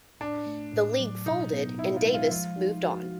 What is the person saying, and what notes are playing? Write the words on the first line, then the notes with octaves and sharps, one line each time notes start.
The league folded and Davis moved on.
A2 D4
A3
A2
F#3
B2 D#4
B3
D#4 E4
F4
G#3
F4
F3 F4
D#4
F#4